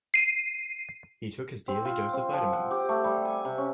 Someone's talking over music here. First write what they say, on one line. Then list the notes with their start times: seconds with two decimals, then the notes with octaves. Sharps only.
He took his daily dose of vitamins.
0.14 C7 D#7
1.68 C4
1.85 F4
2.13 C4
2.33 F3
2.52 F#5
2.71 G4
2.89 A3
3.04 G3
3.25 G#5
3.45 C3
3.58 C#4